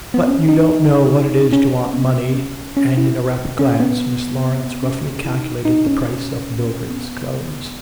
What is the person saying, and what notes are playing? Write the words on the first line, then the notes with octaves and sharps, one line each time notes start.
But you don't know what it is to want money,' and in a rapid glance Miss Laurence roughly calculated the price of Mildred's clothes.
B3
C#4
D#4
C#4
B3
C#4
C#4
E4
C#4
B3
C#4
E4
D#4
D#4
C#4
B3